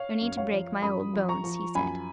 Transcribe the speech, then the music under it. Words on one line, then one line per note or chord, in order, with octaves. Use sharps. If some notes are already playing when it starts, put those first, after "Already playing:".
"No need to break my old bones," he said.
Already playing: C#5 F5
F#2
C#5 F5
F3
F#2 B5 D#6
F3
A#5 C#6
F3
F#2 G#5 B5